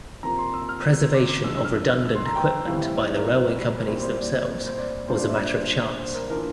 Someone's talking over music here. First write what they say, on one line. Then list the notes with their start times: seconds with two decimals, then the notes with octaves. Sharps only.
Preservation of redundant equipment by the railway companies themselves was a matter of chance.
0.23 C3 F3 A#3 F4 A#5
0.38 C6
0.54 E6
0.69 F6
1.14 D6
1.29 D6
1.44 F2 E3 G3 D4 E6
1.55 E6
1.65 F6
1.75 E6
1.90 F6
2.05 E6
2.15 C6
2.26 A#5
2.36 G5
2.66 A2 E3 G3 C4 E4 F5
2.81 E5
2.96 E5
3.06 D5
3.16 A#4
3.87 A#2 G3 C4 E4 A#4
4.02 C5
4.18 D5
4.48 C5
4.68 C5
4.78 D5
5.08 A#2 G3 D4 F4 C5
5.19 D5
5.29 E5
5.39 D5
5.54 C5
5.99 C5
6.15 A#4
6.30 E3 A#3 D4 F4 A#4